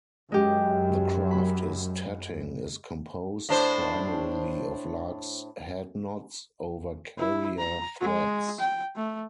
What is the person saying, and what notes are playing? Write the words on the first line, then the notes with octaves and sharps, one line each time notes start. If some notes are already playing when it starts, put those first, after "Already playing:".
The craft of tatting is composed primarily of lark's head knots over carrier threads.
F#2 G#3 G4
B5
A2 D4 C5
E4
A#5
G#3
G5
A3